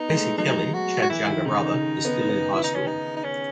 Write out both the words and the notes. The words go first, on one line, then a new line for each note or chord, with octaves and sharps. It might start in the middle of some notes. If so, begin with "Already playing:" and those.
Casey Kelly, Chad's younger brother, is still in high school.
Already playing: B3 D#4
G#3
A3
F#3 D#4
F#4
F#4
E3 E4
D#3
C#3 D#4
D#3
D#3
B3
B3
E4
D#4
C#4
D#4
D#4
C#4